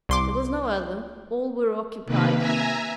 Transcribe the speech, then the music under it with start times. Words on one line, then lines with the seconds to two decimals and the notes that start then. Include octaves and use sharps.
There was no other, all were occupied.
0.09 C2 C6 D6
2.06 C3 D#3 A#3 B4
2.38 E5 G#5 A#5